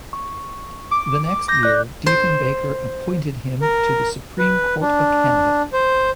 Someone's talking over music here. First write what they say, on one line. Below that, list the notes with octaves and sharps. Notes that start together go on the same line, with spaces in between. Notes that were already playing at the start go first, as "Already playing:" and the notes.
The next year, Diefenbaker appointed him to the Supreme Court of Canada.
C#6
D6
D6 G6 A#6
D5 F#6
C5
A#4
B4
D4
C5